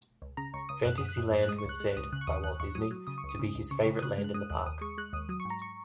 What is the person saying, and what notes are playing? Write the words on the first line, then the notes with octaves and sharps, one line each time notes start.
Fantasyland was said, by Walt Disney, to be his favorite land in the park.
C#2
C#3 A#5
C#2 C#6
C#2 D#6
F#2 F#6
F#2 D#6
F#6
F#2
F#2
F#6
G#3 D#6
C#6
C#2 F#6
G#3 F#6
C#2 D#6
C#3 F#6
C#6
D#2 D#6
D#2 F#6
D#2 C#6
F#3 D#6
F#3
C#3 D#6
C#6
C#2
D#6
C#3
C#2
C#3 C#6
C#3
D#6
C#3 F#6
G#3
F#6
G#3 D#6
D#2 F#6
D#2 D#6
G#3 C#6
G#3 F#6
D#2 D#6
F#3 D#6
C#6
G#2
A#5
C#6